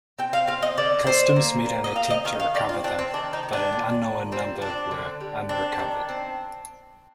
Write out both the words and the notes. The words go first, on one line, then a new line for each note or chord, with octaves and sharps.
Customs made an attempt to recover them, but an unknown number were unrecovered.
C4 G5
F5
C4 F5
D#5
D3 D5
D3 C5
A#3
A#3
D#5
C4 F5
D#5
D#3 F5
F5
C4 D5
F4
C4 D4
C4
D#3 D4
D#4
D#3
D4
A#2
A#2
G3 C4
C4 D4
D3
G3
C4 D4
D#3
C4